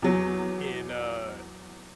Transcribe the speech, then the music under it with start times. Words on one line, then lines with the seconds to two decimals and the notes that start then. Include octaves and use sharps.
in, uh,
0.02 E2 F#3